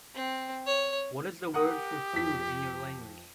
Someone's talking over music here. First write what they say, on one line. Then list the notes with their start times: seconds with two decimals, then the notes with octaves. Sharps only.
What is the word for 'food' in your language?
0.15 C4
0.67 C#5
1.54 G4 A#4 F#5 D#6
2.13 F2 B6